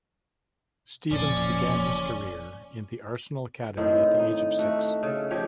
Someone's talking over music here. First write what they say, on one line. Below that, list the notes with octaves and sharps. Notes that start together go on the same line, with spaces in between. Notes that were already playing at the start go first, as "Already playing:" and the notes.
Stevens began his career in the Arsenal Academy at the age of six.
E1 A#2 C#3 F3 C#4 D5
A2 D#3 C4
D#4
A3 F#4
C#3 A4
F3 C#4 G4 C#5